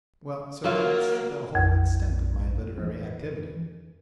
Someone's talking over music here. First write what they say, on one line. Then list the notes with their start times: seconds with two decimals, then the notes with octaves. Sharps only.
Well, so that's the whole extent of my literary activity.
0.64 F#3 A#3 F4 F5
1.55 A#1 F2
2.78 E3